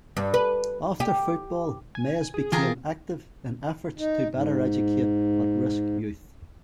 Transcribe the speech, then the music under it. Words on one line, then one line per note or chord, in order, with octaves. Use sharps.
After football, Mayes became active in efforts to better educate at-risk youth.
G2
B4
G4
G#5
G#4
E3 F4 G#4 A#4
D#4
G#2